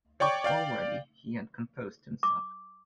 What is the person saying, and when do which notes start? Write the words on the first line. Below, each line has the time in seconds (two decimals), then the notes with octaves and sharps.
But already he had composed himself.
0.20 C#5 D5 G5 C#6 D6
0.44 D5 F5 G5
2.23 D6